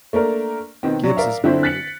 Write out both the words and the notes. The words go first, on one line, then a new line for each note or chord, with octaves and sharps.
Gibbs is married.
A3 A#3 D4 A#4
B2 D#3 B3 C4
F#3 D4
A#4 D5 E5 F5
D3 C4 E4 C5
F#6 A6 B6 C#7 F#7